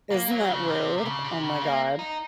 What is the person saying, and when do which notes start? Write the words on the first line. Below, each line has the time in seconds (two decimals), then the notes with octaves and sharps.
Isn't that rude? Oh my god.
0.11 A#3
0.31 F#3
0.50 C#3
0.68 C3
0.98 C3
1.05 C#3
1.24 C3
1.43 C#3
1.62 A#3
1.99 D#4